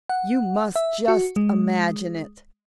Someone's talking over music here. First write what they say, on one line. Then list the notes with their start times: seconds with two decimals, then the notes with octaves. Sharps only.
You must just imagine it.
0.09 F#5
0.76 E5
1.08 F#4
1.36 G#3